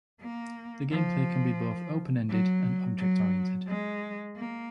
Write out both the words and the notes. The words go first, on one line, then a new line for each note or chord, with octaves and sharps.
The gameplay can be both open-ended or object-oriented.
A#3
F3
F#3
F#3
G#3
A#3